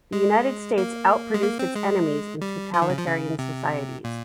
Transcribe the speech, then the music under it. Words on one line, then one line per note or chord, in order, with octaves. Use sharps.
The United States out-produced its enemies in totalitarian societies.
G#3
A#3
G#3
A#3
C4
G#3
G3
F3
D#3
C#3
F3
C#3
C3
A#2